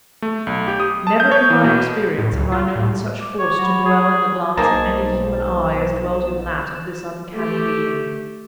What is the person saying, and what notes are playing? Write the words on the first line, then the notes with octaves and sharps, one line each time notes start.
Never in my experience have I known such force to dwell in the glance of any human eye as dwelt in that of this uncanny being.
A3
B1
G4
D#6
A5
G6
C#5
E3
B2
A2
C#2
F4
A2
D6
C#5
F#3 B5
G#4
B1 A#3 D#4 G#4 C5 A5
A3 G4